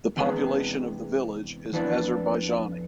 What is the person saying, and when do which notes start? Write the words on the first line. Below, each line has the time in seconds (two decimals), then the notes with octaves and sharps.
The population of the village is Azerbaijani.
0.17 E2 C3 G#3 B3 D4
1.73 F2 E3 B3 D4